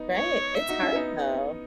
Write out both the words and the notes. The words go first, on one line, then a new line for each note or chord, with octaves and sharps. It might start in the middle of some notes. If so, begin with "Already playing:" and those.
Right, it's hard, though.
Already playing: B3 D#4
C#5
E5
D#4 F#4
C#4 E4
B3 D#4